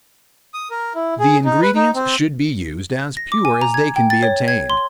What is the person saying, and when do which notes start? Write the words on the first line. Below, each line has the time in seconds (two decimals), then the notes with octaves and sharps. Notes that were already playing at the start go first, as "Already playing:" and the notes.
The ingredients should be used as pure as they can be obtained.
0.54 D#6
0.71 A#4
0.95 E4
1.19 G#4
1.45 D#4
1.62 B4
1.75 D#4
1.95 C4
3.17 A#6
3.32 D6
3.45 G#5
3.61 A#5
3.74 G#6
3.96 G5
4.10 A6
4.23 C#5
4.48 G#6
4.70 C6